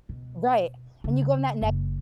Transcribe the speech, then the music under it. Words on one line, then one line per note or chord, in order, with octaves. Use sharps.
Right, and you go in that negative
B2
C#3
F#1